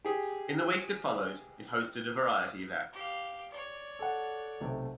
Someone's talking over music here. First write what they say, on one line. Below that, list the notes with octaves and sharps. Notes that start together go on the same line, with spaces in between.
In the week that followed, it hosted a variety of acts.
G4 G#4
G4 F5
C#5 D5
A4 F#5
B1 C3 A3